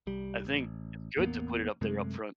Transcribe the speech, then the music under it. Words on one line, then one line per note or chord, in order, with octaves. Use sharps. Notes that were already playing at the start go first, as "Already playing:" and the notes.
I think it's good to put it up there upfront.
C2 G3
A1
A1 E2 A#3 B3
F#2 C3 G#3 A3